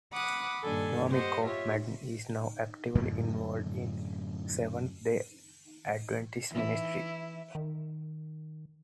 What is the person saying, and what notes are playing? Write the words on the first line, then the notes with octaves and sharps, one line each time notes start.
Nwamiko Madden is now actively involved in Seventh-day Adventist ministry.
F#5 B5 D6 D#6 F#6
G2 A#2 D#3 D4 A4 G#5
G4 C5 D#5 F#5
F4 G4 C#5 E5
F#2 A2 D3 G#3
E3 E4
D#3